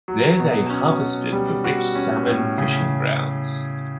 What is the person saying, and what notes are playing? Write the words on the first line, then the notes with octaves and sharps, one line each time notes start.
There they harvested the rich salmon fishing grounds.
F#3
B2
C#4
B2
G3
F#4
C#4
A2
C#3